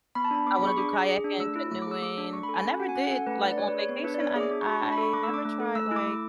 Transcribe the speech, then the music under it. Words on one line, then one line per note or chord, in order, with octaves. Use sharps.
I wanna do kayaking, canoeing I never did like, on vacation I n I never tried, like,
B3 B5
A5
D4 B5
B3 D6
B5
G#4 C#6
D4 D6
G#4
G#4
D4
A3 E6
E4
A3
D6
G#4 E6
A3 D6
D4
A3 C#6
B5
A4
G#5
C#4 G#5
F#4 F#5
G#5
C#4 F#5
G#5
A4 F#5
A3 B4
D4 B4
D5
A3 C#5
B4
G#4 C#5
B3
D4 B4
D5
B3 C#5
E5
G#4 D6
D4 D6
C#6
F#4 B5
C#6
D4 B5
B5
A4
C#6
A3 D6
E6
D4 D6
A3
A4
A3 E6
E6
E4 D6
A3 D6